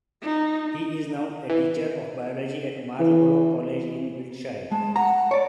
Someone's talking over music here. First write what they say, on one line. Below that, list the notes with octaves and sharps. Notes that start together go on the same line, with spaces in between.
He is now a teacher of Biology at Marlborough College in Wiltshire.
D#4
E3
E3
G#3 A5
F#5 A#5
C#5 D5